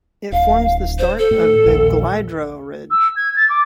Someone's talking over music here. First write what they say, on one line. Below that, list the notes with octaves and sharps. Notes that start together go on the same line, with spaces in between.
It forms the start of the Glyderau ridge.
D1 F5
C5
A4
A2
A#1 D#2
E6
G#6
A6
D6